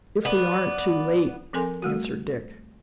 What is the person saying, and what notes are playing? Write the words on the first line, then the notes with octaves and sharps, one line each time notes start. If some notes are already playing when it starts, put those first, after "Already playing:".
"If we aren't too late," answered Dick.
B3 D5
F3 C4 A4 A#4 G#5 C6
G3 A3 F#4